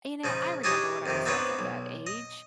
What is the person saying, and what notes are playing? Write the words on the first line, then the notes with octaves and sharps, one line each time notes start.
You know, I remember what I was like at that age.
C#3 F3 D#4
D4 D#4 G4 G#4 C#5 D#5
F2 C3 D#3
B3 C4 D4 D#4 B4 C#5
B1
D#5